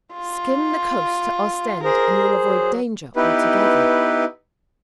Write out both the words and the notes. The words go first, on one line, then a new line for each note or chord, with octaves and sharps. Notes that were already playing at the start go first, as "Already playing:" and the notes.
"Skim the coast to Ostend, and you'll avoid danger altogether."
F4
G#4 A#4 C5
F#3
B3 D#4 E4 G4 B4